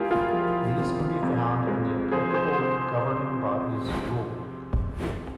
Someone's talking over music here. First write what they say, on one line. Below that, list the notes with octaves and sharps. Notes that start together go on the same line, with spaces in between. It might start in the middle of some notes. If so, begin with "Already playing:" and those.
These can be found in the applicable governing body's rule book.
Already playing: E2 G#3 E4 F4 G4 G#4 A#4
F4 G#4
F3
C3
F2
G#3
F3 G#4 C5
G#4 C5
C3